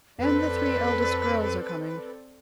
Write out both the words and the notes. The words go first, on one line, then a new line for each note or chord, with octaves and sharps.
"And the three eldest girls are coming."
F2 C4 A4 B4 D5